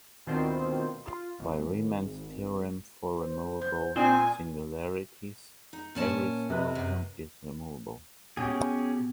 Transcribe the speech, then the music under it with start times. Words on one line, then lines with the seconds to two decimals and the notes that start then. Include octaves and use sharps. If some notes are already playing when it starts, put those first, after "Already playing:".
By Riemann's theorem for removable singularities, every singleton is removable.
0.27 D2 B2 D#3 C4 F4 C5
1.07 F4
1.39 G#1
3.19 C5
3.62 G6
3.96 A#2 C4 D5 G#5 D#6
5.73 D#4
5.95 A#2 C#4 A5
6.50 C3 B4 D#5
6.75 F#2
8.37 B2 C#4 G4 G#4